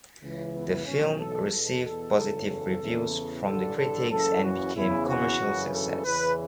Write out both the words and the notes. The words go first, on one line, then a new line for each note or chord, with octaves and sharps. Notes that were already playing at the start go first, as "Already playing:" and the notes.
The film received positive reviews from the critics and became commercial success.
C#2 C#3 E3
B3
B1 A2 E3 C#4
A4
E2 B2 A4
A4
F#1 E2 C#3 A4
A4
E2 C#3 E3
A1 G2 D3 A4
A4
F#1 F#2 C#3 E3 A4
F#4
E2 C#3 E3 E4
F#4
G1 F#2 C#3 E3
A4
E2 C#3 E3 B4